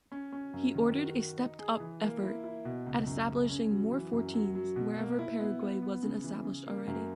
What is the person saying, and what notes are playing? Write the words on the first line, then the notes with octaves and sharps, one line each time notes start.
He ordered a stepped-up effort at establishing more fortines wherever Paraguay wasn't established already.
C#4
C#4
F#2
D#3
F#4
F#4
D#4
G#4
E3
A#3
E4
E4
B2
C#2
F#2
C#3
C#4
F#3
E3
F#2
F#3
F#3
B2
A#3
E4
B3
B3
B3
C#3
E3
C#3
A#3
F#2